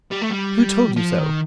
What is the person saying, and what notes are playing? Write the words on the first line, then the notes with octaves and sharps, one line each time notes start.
"Who told you so?"
G3
A3
G3
F3
D#3